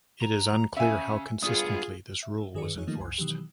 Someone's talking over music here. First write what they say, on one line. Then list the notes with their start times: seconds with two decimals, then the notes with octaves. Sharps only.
It is unclear how consistently this rule was enforced.
0.22 A#5
0.77 C#3 E5 G#5
1.43 G2 B3 F4 G#4 D#6
2.23 E5
2.54 G2 D#3 G#4 B4 D5 C#7
2.75 F2 E3 F#3 D#4 G#4 C#5
2.87 D#3 F3 G3 A3 A#3 D#4
3.00 C2 F#2 G#5 C6
3.18 B2 D#3 E3 F#3 G4